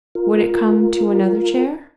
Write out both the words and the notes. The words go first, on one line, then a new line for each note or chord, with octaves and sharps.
"Would it come to another chair?"
F4 A#4